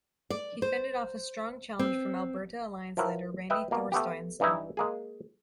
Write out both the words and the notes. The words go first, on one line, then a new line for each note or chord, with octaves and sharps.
He fended off a strong challenge from Alberta Alliance leader Randy Thorsteinson.
D5
C5
C4
F3 F#3 E4 A#4 B4
B4 D#5 E5 G5
B2 A#3
A3 B3 G4
G2 E3 D#4 E4
G#3 A#3 G#4